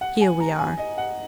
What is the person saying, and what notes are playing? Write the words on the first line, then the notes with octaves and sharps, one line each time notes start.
Here we are.
F#5
G#5
A#5
G#5
D#5
F#5